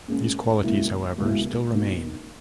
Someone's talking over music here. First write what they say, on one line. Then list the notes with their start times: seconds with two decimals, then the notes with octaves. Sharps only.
These qualities, however, still remain.
0.08 A#2 G#3 C#4
0.63 C#2 B2 A#3 E4
1.18 C#2 B2 A#3 E4
1.74 B2 A#3 D#4